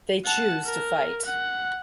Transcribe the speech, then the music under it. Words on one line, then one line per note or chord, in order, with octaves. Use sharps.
They choose to fight.
F#5 A5
A#4
F#5